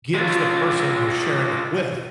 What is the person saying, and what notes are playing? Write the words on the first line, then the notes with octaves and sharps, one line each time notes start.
gives the person you're sharing it with
G#3 F4